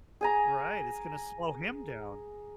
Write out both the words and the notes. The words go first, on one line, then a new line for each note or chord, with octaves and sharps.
right, it's gonna slow him down.
G#4 G#5 A#5